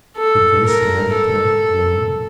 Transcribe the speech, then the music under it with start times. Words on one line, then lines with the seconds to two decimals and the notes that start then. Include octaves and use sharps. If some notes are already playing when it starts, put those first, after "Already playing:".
Did they stand then alone?
0.17 A4
0.65 A#4
1.13 A4